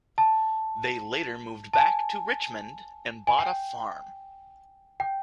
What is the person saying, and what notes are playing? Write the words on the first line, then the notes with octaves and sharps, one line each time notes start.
They later moved back to Richmond and bought a farm.
A5
A5
G#5
G#5
G5
G5